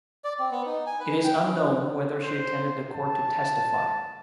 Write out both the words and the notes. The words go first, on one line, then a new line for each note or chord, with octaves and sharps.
It is unknown whether she attended the court to testify.
D5
C4
B3
D#4
G#5
B4
G5
C#4
C5
A5